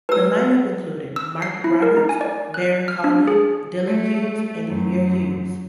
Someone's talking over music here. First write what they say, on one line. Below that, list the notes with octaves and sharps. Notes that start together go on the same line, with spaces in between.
The line-up included Mark Roberts, Barry Cawley, Dylan Hughes and Emyr Hughes.
B4 E6
E6
C7
E4
A#4
D#4
G#5
D5
F#6
F6
D4
G#4
A3
A3
F#2